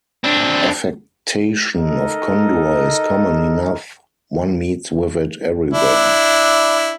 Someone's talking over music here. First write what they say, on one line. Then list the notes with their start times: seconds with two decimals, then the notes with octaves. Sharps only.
Affectation of candour is common enough — one meets with it everywhere.
0.24 C4 D4
1.74 D#4 A4 A#4 D#5
5.74 D4 E4